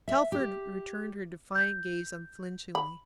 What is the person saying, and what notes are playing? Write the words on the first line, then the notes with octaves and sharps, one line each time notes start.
Telford returned her defiant gaze unflinchingly.
E5
G4
G6
B5